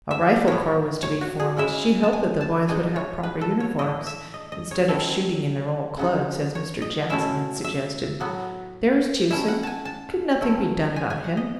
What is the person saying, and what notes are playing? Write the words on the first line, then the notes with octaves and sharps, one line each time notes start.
A rifle corps was to be formed: she hoped that the boys would have proper uniforms, instead of shooting in their old clothes, as Mr. Jackson had suggested. There was Tewson; could nothing be done about him?
E5
A2 E3 B3 C#5
C#5
F#4
G#4
C#3 G#3 C#4 E4 E5
A5
G#5
A5
B2 G#3 D#4 G#5
C#5
B4
A4
C#5
A2 E3 A3 E4 D#5
E5
D#5
D#5
C#5
D#3 F#3 C#4 E4 A4
C#3 F#3 B3 D#4
C#5
D#5
B2 A3 C#4 E4 E5
E5
A2 F#3 B3
D#3 A3 C#4 E4 E5
F#5
G#5 A5
A5
F#3 A3 C#4 E4
G#5
G#5
F#5
D#5